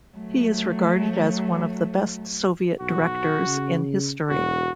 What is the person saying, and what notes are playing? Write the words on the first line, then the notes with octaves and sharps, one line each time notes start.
He is regarded as one of the best soviet directors in history.
F#3 A3
B1 F#4
C#3
E1 F#4